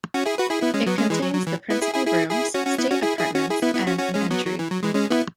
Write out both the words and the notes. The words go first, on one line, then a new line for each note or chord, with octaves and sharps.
It contains the principal rooms, state apartments and an entry.
C#4 F#4
E4 G#4
F#4 B4
E4 G#4
B3 E4
G#3 C#4
F#3 B3
G#3 C#4
E3 G#3
F#3
F#3
E3
B3 E4
E4 G#4
E4 G#4
E4 G#4
E4 G#4
C#4 F#4
C#4 F#4
B3 E4
C#4 F#4
E4 G#4
E4 G#4
C#4 F#4
E4 G#4
B3 E4
B3 E4
C#4 F#4
C#4 F#4
G#3 C#4
F#3 B3
F#3
E3
F#3
E3 G#3
G#3 C#4
B3 E4